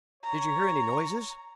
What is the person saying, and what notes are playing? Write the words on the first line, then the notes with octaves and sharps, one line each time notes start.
"Did you hear any noises?"
C#5 A#5